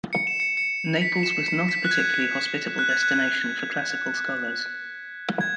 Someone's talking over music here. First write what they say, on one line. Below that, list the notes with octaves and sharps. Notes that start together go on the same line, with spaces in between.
Naples was not a particularly hospitable destination for classical scholars.
C#7
E7
C#7
C#7
B6
E7
C#7
B6
F#6
G#6
F#6
G#6
F#6
G#6